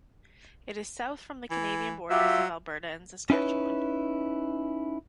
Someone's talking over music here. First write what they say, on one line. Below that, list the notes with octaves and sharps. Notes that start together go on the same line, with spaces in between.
It is south from the Canadian borders of Alberta and Saskatchewan.
E3
F#3 F4 G4 E5
C#4 D#4 E4 B4 C#5